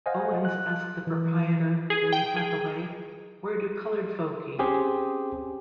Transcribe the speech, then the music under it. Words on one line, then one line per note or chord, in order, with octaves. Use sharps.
Owens asked the proprietor, Lee Hathaway, where do colored folk eat?
C5 D#5 F5 F#5 G#5
F#6
E3
G#4
G5
G#4
C4 C#4 G4 G#4 C5